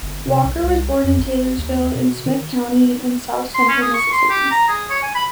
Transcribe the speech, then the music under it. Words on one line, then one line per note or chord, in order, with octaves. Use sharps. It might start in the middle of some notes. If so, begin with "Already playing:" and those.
Walker was born in Taylorsville in Smith County in south central Mississippi.
G1
C3
B1
C2
F2
G#1
D#2
B2
D#3
C6
C#4
G#4
C#6
C6
G4
A#5
G#4
C#5
G#5
B5